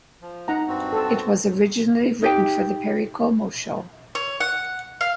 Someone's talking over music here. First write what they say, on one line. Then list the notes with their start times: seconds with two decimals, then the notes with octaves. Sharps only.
It was originally written for "The Perry Como Show".
0.21 F3
0.48 D#4 F#5 A#5
0.68 G2 C4 F#4
0.93 A4 C5
2.22 D#4 G4 G5
4.15 C#5
4.40 F#5
5.01 F5